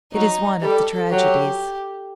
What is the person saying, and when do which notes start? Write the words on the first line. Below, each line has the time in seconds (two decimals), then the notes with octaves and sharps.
It is one of the tragedies.
0.13 F#3 D#4
0.62 G3 A4
1.09 F#3 G4